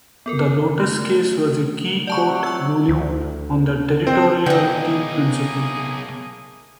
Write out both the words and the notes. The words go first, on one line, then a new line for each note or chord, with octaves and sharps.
The "Lotus" case was a key court ruling on the territoriality principle.
F#2 B3 A4 A#4
A3
C3 F#3 D5 F#5 A5 C#6
C#6 E6
D2
C4
B1 D3 A3 A#3 G#4 D#5 G5